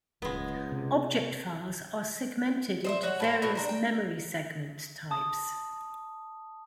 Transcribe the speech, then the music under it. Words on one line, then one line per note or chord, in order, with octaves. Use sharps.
Object files are segmented into various memory segments types.
D1 C#2 G#3 B3
C3
C5 D#5 E5
F#4 C#5 F#5
A2 C4 C5
A2 E3 F#4
D4 A#4 C5
G5
A5 D#6